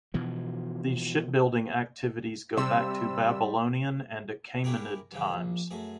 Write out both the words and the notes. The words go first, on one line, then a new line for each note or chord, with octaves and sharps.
These shipbuilding activities go back to Babylonian and Achaemenid times.
B2 E3 F3
C3 G3 C5 E6
C#4 E4 G4 G#4 A#4
G2 C#3 E3
A#1
F#2 A3 G#4